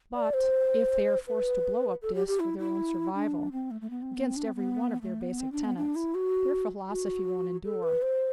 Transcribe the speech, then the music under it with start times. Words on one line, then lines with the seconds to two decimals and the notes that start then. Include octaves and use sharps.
But if they are forced to blow up Dis for their own survival--against every one of their basic tenets--their philosophy won't endure.
0.15 D5
0.34 C5
1.27 B4
2.02 A4
2.15 G4
2.28 G4
2.40 E4
2.59 E4
3.15 D4
3.52 C4
3.71 A3
3.81 A3
3.90 B3
4.02 C4
4.15 B3
4.27 C4
4.36 D4
4.46 C4
4.55 B3
5.02 A3
5.21 B3
5.40 C4
5.52 D4
5.64 B3
5.77 D4
5.96 E4
6.15 F#4
6.89 F#4
7.65 A4
7.83 B4
8.02 C5